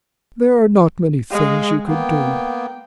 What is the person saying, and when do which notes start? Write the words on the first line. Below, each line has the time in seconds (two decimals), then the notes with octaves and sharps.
"There are not many things you could do."
1.31 G#3 D#5 F5
1.87 A#3 B3 G5